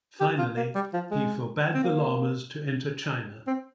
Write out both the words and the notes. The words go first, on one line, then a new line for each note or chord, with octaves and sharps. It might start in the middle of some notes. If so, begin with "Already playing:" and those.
Finally, he forbade the Lamas to enter China.
G4
F4
A#3
G3
F3
G#3
C4
A#3
C4